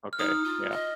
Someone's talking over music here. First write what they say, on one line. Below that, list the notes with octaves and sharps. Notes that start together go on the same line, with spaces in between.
Okay, yeah.
F6
D#4 D#6
F4
D#5